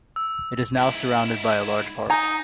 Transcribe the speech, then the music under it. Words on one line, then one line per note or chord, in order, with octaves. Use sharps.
It is now surrounded by a large park.
E6
G#2 E4
D#4 G#5 A#5